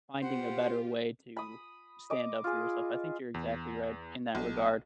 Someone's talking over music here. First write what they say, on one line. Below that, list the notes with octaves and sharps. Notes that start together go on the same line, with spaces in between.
finding a better way to stand up for yourself, I think you're exactly right in that regard.
F4 G4 C5 F#5
B5 D#6
D#5 D6
F4 G#4
E2
B1